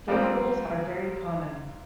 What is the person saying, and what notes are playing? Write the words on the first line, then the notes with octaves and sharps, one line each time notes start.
Vocables are very common.
F2 G3 A#3 C4